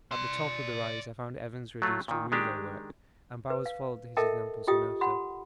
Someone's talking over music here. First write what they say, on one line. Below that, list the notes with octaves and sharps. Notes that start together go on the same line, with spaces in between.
At the top of the rise I found Evans reduced to relay work, and Bowers followed his example soon after.
D5 C6
F#3 A3 F4
A#2 D#3
D#3 G#3 D4 G4
B4
F5
A4 A#4 D#5 E5 G5 A5
F4 G4 D#5 G5 D#6
F#5 B5 C6